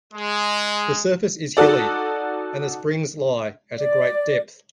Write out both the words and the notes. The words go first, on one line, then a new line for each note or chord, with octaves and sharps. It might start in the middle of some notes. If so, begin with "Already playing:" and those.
The surface is hilly, and the springs lie at a great depth.
G#3
D#4 F#4 A4 D5
D5